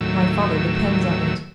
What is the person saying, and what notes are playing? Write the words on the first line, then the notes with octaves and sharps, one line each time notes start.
My father depends on it.
D#2 A2 F#3 E6